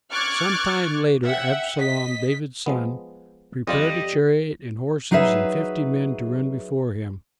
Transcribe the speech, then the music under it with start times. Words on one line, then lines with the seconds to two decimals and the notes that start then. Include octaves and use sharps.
Some time later Absalom, David's son, prepared a chariot and horses and fifty men to run before him.
0.11 C#6 D6 F6 F#6 G#6 A6
1.25 E5 F#5 G5
1.79 D#5 B6
2.66 F3 G#3 B3
3.67 F2 G3 F4 D5 D#5
5.11 F#3 D#4 G#4 B4 E5